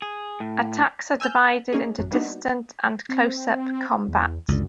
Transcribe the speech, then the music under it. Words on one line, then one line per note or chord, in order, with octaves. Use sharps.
Attacks are divided into distant and close-up combat.
G#4
A2
G#5 E6 F6 G6
A#3 C#4 D#4 G#4
A1 F#2
G3 A#3 B3 D4 D#4 F#4
C4
E2
C#2 F#2 D3